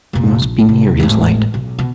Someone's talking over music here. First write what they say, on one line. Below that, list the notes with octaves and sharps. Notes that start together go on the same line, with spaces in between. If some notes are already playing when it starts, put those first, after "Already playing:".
He must be near his light.
F1 A#2
A#1
C3
G#1 A2
B1
B2